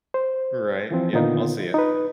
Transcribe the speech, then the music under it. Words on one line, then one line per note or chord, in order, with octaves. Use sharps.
Right, yep, I'll see ya.
C5
E3 F3 C4
A#2 D3 D#3 B3 D#4 F4
D#4 B4